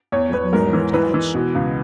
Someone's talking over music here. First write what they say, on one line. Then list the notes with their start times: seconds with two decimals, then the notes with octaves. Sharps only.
What merit had she?
0.12 E2 C#5
0.33 E2 B4
0.53 G#2 A#4
0.73 E3
0.93 E3 B4
1.14 E3
1.34 B2
1.55 C#2